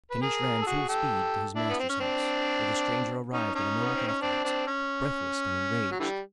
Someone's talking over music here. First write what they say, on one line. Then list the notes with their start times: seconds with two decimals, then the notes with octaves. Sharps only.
Caniche ran full speed to his master's house, where the stranger arrived a moment afterwards, breathless and enraged.
0.10 B4
0.22 G#4 A#4
0.62 A4
0.66 F#4 G#4
0.89 G4 A4
1.55 D4 E4
1.70 B3
1.79 C4
1.90 C#4
2.00 C4 D4
3.33 C#4 D#4
3.55 C#4 D#4
3.81 B3
3.95 C4
4.08 C#4
4.22 C4 D4
4.44 C4 D4
4.67 C#4
5.92 F#3
6.00 D3 E3 G3